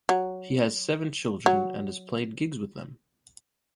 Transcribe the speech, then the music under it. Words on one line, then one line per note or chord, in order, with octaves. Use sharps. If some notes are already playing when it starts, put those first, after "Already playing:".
He has seven children, and has played gigs with them.
F#3
F#3